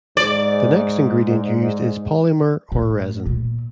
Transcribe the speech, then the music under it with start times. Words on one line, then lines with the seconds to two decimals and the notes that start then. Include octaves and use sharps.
The next ingredient used is polymer or resin.
0.17 G#2 D5
2.72 A2
3.26 A#2